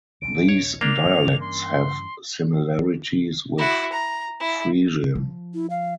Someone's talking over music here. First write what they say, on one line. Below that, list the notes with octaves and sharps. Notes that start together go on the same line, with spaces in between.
These dialects have similarities with Frisian.
A#1 D#2 D3 D7
C#5
A#3 D4 F7
G2 E3 C#4
C6
E4 F#4
A#5
E4
F3
E4
F5